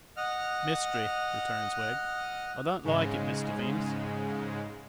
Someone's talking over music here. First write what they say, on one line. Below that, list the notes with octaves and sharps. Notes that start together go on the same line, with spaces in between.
'Mystery,' returns Wegg. 'I don't like it, Mr Venus.
D#5 F#5 F6
G#2 C#3 G#3